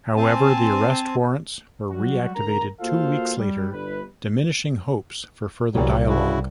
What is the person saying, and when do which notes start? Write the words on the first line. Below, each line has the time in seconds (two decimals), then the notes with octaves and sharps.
However, the arrest warrants were reactivated two weeks later, diminishing hopes for further dialogue.
0.16 C4 C5 G#5 A5
1.90 F#3 G3 F#4
2.34 D3 G#3 A#4 A#5
2.81 A#3 F4 F#4 A4 C5 F5
3.37 G3
3.72 G1 B4
5.74 C2 E3 F#3 G3
6.09 C#3 E4 F#4